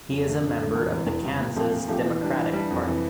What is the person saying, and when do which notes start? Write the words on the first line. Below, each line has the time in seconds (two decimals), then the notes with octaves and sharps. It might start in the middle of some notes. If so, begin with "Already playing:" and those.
He is a member of the Kansas Democratic Party.
0.10 F2
0.26 D3 A3
0.41 F2
0.58 D3 A3
0.75 E2
0.91 C3 E3 G3
1.06 E2
1.23 C3 E3 G3
1.39 A#2
1.56 F3 A3 C4 G4
1.73 A#2
1.88 F3 A3 C4 G4
2.05 E3
2.22 G3 D4
2.37 E3
2.53 G3 D4
2.70 F2
2.85 C3 E3